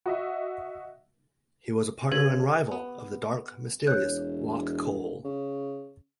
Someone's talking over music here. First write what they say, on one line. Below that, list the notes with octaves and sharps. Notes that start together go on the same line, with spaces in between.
He was a partner and rival of the dark, mysterious Locke Cole.
F#4 D#5 E5
C#3 G4 B4 G#6
B3
E1 C#5 F#6 G6
C#3